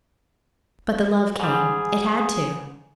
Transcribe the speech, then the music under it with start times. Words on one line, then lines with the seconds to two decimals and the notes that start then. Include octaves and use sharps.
But the love came ... it had to.
1.40 G#2 G3 G#4